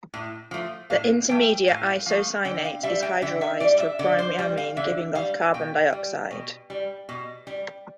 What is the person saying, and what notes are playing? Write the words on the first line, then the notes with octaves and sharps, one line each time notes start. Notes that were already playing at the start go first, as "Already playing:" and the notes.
The intermediate isocyanate is hydrolyzed to a primary amine, giving off carbon dioxide.
A2
F3 A3
A2 F5
F3 A3 G5
A2 F5
F3 A3 F5
D3 G5
F5
G3 E5
G5
D3 E5
E5
G3 D5
E5
D3 D5
C5
G3
F5
D3 E5
G3 F5
B2 G5
G3
B2
G3
B2
G3